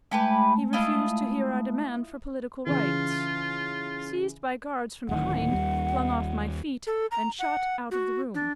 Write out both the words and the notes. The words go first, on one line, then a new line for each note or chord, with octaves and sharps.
He refused to hear our demand for political rights. Seized by guards from behind, flung off my feet, and shot out of the room.
G#3 A3 E4 G4 B4 A5
E4 F4 D#5
C#3 E3 F4
D1 A2 D#3 F#5
D#2 G3
A4
A#5
F#5
F#4
D4